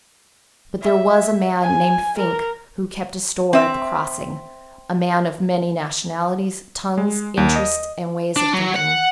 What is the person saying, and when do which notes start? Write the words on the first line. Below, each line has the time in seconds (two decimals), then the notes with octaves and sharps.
But there was a man named Fink who kept a store at the Crossing--a man of many nationalities, tongues, interests, and ways of thinking.
0.81 E5
1.62 G#5
2.18 A#4
3.53 C4 E5
6.97 G#3
7.37 D#2
7.56 D#5
8.36 D4
8.53 F#3
8.75 F#5